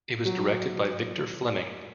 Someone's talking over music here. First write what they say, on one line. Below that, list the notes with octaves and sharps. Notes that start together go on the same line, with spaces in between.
It was directed by Victor Fleming.
F#3